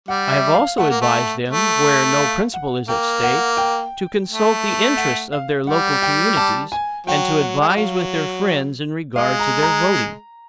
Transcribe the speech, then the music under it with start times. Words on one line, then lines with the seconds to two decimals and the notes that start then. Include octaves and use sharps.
I have also advised them, where no principle is at stake, to consult the interests of their local communities, and to advise with their friends in regard to their voting.
0.08 G3 F#5
0.32 E5
0.55 F5
0.78 A3 F#5
0.90 A#3
1.02 A3
1.48 A3
2.18 F5
2.54 F#5
2.88 A#3 G5
3.23 F#5
3.57 G5
4.28 A3
4.97 F#5
5.32 F5
5.67 G3 F#5
6.02 G5
6.37 A5
6.72 G#5
7.07 F#3 G5
7.41 F#5
7.61 G#3
7.69 G3
7.77 F#3 F5
9.16 G#3 F5
9.39 A#5
9.63 A#5